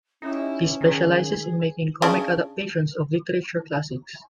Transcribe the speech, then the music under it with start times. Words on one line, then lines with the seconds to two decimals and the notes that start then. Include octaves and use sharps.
He specializes in making comic adaptations of literature classics.
0.22 C#4 D#4 E4 G4
0.81 D#3 G#4
2.02 C#3 D4